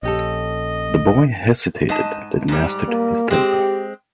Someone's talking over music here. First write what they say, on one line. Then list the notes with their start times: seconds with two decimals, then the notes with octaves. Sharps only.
The boy hesitated, then mastered his temper.
0.03 A#1 C#4 G4 A4 D#5
1.89 G#2 D#5 A5
2.48 G#2 G3
2.88 A#3
3.30 G#3 C4 G4